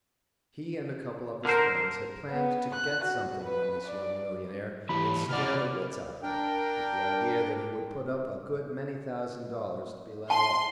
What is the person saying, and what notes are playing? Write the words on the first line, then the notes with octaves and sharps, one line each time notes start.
He and a couple of his friends had planned to "get something" on this young millionaire, and scare the wits out of him, with the idea that he would put up a good many thousand dollars to be let off.
D3 A#4 C5
B3
F#6
F#4
B4
D5
E3 E4 G4 B5
C3 A#3 D5 F#5 F6
D4 A#4 G5
A5 C6